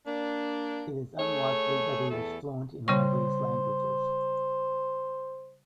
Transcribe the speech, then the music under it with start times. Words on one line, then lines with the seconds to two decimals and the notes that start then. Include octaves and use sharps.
It is unlikely that he was fluent in all these languages.
0.07 A#3 D4
1.19 A3 G#4 C#5
2.10 E2 A3 A4
2.88 C#3 G3 C5 C#6